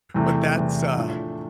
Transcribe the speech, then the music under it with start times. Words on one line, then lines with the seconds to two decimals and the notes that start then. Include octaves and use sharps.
but that's, uh
0.14 E2 C3 E3 A3
0.55 E2 C3 E3 A3
0.95 A2 F3 A3 D4 F4